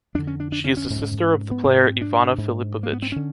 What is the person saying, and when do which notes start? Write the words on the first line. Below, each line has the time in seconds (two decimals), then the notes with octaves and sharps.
She is the sister of the player Ivana Filipović.
0.15 F2 D3 D4
0.27 C#4
0.40 D4
0.52 D4
0.64 C#4
0.77 C#4
0.90 G#2
1.51 B3
1.64 G#2 C4
2.01 D4
2.38 G#2
2.83 A#3
2.93 B3
3.02 C4
3.12 D3 C#4